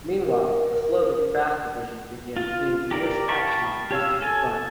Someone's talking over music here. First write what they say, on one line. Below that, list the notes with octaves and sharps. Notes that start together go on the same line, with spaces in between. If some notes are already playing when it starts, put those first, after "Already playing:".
Meanwhile, the Slovak Fast Division began seeing fierce action on the Eastern Front.
A#4
F4
G4 A#4 D5
F5 G5 A5 B5 C#6
G4 C#5 F5 E6
A4 G#5 A5